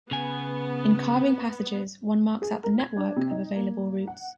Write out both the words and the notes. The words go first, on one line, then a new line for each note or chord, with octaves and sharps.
In "carving passages", one marks out the network of available routes.
C#3 B3 G#5
G#4
A#4
G#6
D4
C3
D#4
A#3
F#5